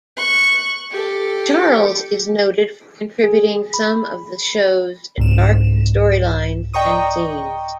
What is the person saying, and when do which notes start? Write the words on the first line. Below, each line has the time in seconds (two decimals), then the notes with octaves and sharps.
Charles is noted for contributing some of the show's darker storylines and scenes.
0.17 C#6 F#6
0.91 G4 A4
3.24 G#4
3.74 B5
5.18 C2 G#2 E7
6.74 D5 D#5 G5 A#5 C#6 D#6